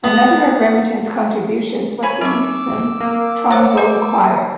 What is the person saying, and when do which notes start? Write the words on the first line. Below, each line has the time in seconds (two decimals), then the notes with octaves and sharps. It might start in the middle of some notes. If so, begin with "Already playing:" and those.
Another of Remington's contributions was the Eastman Trombone Choir.
0.04 B3
2.03 C#5 G#5 B5
2.21 C#3 F#3 C4 D#4 C#6 D6 E6
3.00 A#3
3.51 G#3 C5 C#5 F#5
3.77 F#4 B4 D#5